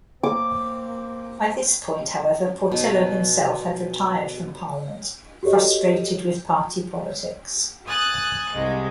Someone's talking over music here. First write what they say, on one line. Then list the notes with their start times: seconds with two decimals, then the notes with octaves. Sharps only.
By this point, however, Portillo himself had retired from Parliament, frustrated with party politics.
0.23 A#3 C4 D6
2.72 B2 D#4
5.43 F#4 G4 A4 C#5 D#5
7.88 G#5 D#6 F#6 A6
8.54 C2 G#3